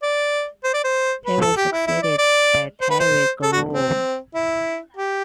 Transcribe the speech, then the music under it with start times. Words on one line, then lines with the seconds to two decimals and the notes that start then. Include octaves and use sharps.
He was succeeded by Terry Groom.
0.03 D5
0.64 C5
0.74 D5
0.84 C5
1.26 B4
1.41 A4
1.57 G4
1.72 E4
1.87 E4
2.02 D5
2.18 D5
2.81 C5
2.90 B4
3.00 C5
3.43 A4
3.52 F#4
3.73 C4
4.35 E4
4.96 G4